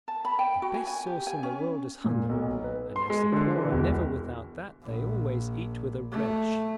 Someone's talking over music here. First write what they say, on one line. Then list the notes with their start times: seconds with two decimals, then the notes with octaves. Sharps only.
The best sauce in the world is hunger, and as the poor are never without that, they always eat with a relish.
0.08 A5
0.25 B5
0.39 G5
0.62 F#4
0.74 G#5
0.87 G#5
1.07 G4
1.27 G#5
1.43 C#4
2.04 A#2
2.29 B1
2.64 B4
2.96 C6
3.10 G#3
3.32 D3
3.56 E3
3.72 E1
4.83 A#1
6.11 A3